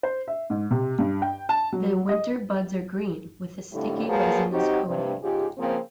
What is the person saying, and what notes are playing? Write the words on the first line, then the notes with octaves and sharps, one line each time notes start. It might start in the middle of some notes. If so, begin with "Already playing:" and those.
The winter buds are green, with a sticky resinous coating.
C5
E5
G#2
C3
G2
G5
A5
F#3
D#5
F2 A2 D3 G3 A3
F3 F#3 A#3 G#4 B4
F#3 C4 D#4 F#4 G4
G2 C3
G#2 C#3 F4 G4
C#3 F3 A#3 C4